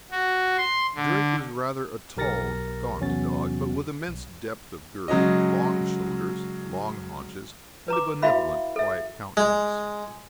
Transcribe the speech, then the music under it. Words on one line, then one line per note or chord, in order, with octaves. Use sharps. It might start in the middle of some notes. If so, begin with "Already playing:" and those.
Drake was rather a tall, gaunt dog, but with immense depth of girth, long shoulders, long haunches, and a benevolent, quiet countenance.
F#4
C6
D3
B1 G4 A#4 A6 A#6 C#7
E2 C3 F#3 C#4 F#4 A6
B1
C#3 F#3 G#3 D#5
B4 A#5 D6
E4 F#4 E5 F5 B5
A4 E5
G#3